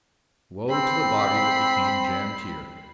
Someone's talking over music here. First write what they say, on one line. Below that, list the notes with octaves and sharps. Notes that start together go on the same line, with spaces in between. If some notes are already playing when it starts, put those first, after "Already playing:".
Woe to the body that became jammed here!
C4 B5 C7